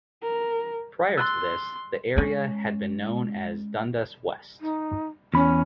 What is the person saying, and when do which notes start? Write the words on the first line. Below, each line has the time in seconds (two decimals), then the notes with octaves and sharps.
Prior to this, the area had been known as Dundas West.
0.23 A#4
1.17 C6 E6 F#6 A6
2.17 G#3 C#4
4.61 D#4
5.34 E2 C#4 B5